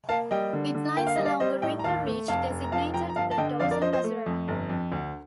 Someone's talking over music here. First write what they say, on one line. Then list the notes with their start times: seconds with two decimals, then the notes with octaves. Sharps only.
It lies along a wrinkle ridge designated the Dorsum Azara.
0.09 A#3 F5 A5
0.31 G3 D#5 G5
0.53 D3
0.75 D3
0.97 A#3 G5
1.07 F5
1.16 G3 D#5
1.25 D5 F5
1.40 G3 C5 D#5
1.62 A2 D#5 G5
1.79 A#5
1.84 D#2 F5 A5
2.06 A3
2.28 F1 F5 A5
2.50 F1
2.64 A#5
2.72 F3 F5 A5
2.94 F3 G5 A#5
3.09 A#5
3.16 G1 F5 A5
3.31 A5
3.38 D3 D#5 G5
3.59 F2 D5 F5
3.71 A#4 D5
3.82 F3 C5 D#5
3.93 C5 D#5
4.04 A3
4.26 F2
4.48 G1
4.69 F2
4.92 D2